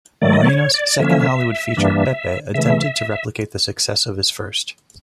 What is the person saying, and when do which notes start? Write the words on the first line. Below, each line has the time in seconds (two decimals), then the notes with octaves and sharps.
Moreno's second Hollywood feature, "Pepe", attempted to replicate the success of his first.
0.22 D#3 F#3 A3 D5
0.33 D#5
0.41 D5
0.48 C#5
0.74 D5
1.00 D3 F3 A#3 C#4 E5
1.77 G2 E3 G3 A#3 D4
2.54 C#3 E3 A3 E5